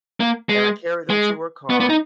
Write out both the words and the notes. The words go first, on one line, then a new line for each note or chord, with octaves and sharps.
and I carried them to her car
A#3
G#3
G#3
B3
B3
D#4